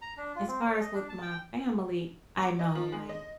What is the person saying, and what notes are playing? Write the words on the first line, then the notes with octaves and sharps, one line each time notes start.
as far as with my family, I know, like,
A#5
D4
F4
C4
C#5
D#5
D4
A5
G5
D6
D#5
F3
G#3
D#5